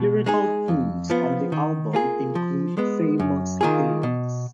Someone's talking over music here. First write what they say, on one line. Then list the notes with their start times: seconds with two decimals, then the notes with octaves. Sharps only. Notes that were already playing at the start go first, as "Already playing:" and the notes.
Lyrical themes on the album include famous killings.
Already playing: B2
0.26 G#3 D#4 G#4
0.68 F2
1.10 F3 B3 F4
1.52 D#3
1.93 A#3 F4 G#4
2.35 F3
2.78 G#3 B3
3.20 F#2
3.61 D#3 A#3 F4 G#4
4.03 B2